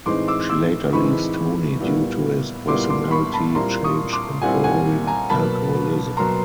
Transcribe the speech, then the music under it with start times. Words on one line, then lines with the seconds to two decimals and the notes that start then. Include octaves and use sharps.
She later leaves Tony due to his personality change and growing alcoholism.
0.06 A2 E3 G#3 C4 D#4 C6 D6
0.28 D6 E6
0.50 D6 E6
0.93 A2 E3 G#3 C4 D#4 B5 C#6
1.80 A#2 G3 B3 E4
2.67 A#2 G3 B3 E4 C6 D6
2.90 C6 D6
3.11 B5 C#6
3.33 A5 B5
3.54 A#2 G3 C4 E4 A#5 C6
3.84 C#6 D#6
4.13 C6 D6
4.42 A#2 G3 C4 E4 F#5 G#5
4.64 F#5 G#5
5.07 G#5 A#5
5.29 B2 F#3 A#3 A5 B5
6.17 B2 F#3 A#3 A#5 C6